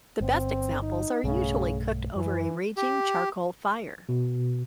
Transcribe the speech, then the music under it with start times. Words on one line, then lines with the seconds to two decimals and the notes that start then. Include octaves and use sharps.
The best examples are usually cooked over a raging charcoal fire.
0.21 G1 C4
0.82 D#4
1.24 B1 G2 C#3 A3
2.16 F#2 E3
2.77 G4
4.09 B2